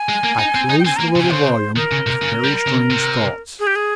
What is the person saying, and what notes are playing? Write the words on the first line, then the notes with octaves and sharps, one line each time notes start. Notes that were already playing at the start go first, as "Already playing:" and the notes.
I closed the little volume with very strange thoughts.
Already playing: G#5
G#3
A#3
D#4
C4
D#4
G5
C4 G#5
A#3 A#5
G#5
C#3
C3 G#5
C#3 C5
D#3 A#4
C#3
C3
C#3
G3
C#3
C3
G#4
G4
G#4